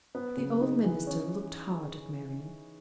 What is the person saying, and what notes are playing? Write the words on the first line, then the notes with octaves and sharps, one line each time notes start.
The old minister looked hard at Marian.
B3
C#3
D#4
E3
C#4